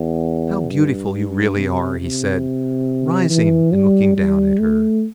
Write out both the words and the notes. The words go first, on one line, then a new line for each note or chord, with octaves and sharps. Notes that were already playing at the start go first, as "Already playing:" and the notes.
"How beautiful you really are!" he said, rising and looking down at her.
Already playing: E2
G2
C3
C3
E3
G3
G3
A3